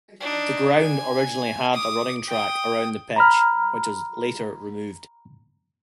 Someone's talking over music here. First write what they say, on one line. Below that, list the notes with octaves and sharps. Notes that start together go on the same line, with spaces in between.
The ground originally had a running track around the pitch, which was later removed.
D4 D#4
G#5
D6 D#6
G5 D#6
A#5 B5 F6